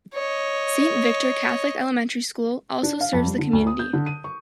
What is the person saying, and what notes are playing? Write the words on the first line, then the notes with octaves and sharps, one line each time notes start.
Saint Victor Catholic elementary school also serves the community.
C#5 D#5
D4
F5
F2
G3
D3
D2
D#6
G6
D3
D#7
C#6